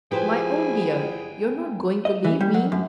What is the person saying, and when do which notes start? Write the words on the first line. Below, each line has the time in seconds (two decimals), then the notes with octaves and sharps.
"My own dear, you're not going to leave me!"
0.12 F3 E4 G4 G#4 B4 C5 G5 G#5
2.05 D#5
2.24 E3
2.41 G3
2.54 F#3
2.72 F#2